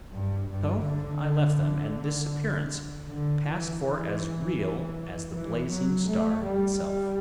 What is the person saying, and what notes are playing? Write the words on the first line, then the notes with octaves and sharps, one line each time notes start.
So I left them; and this appearance passed for as real as the blazing star itself.
G2
G2
D3
D3
E3
E3
E3
F#3
A3
G3
G3